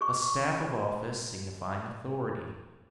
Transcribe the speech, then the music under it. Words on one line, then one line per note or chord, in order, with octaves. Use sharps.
A staff of office signifying authority.
G#4 C#6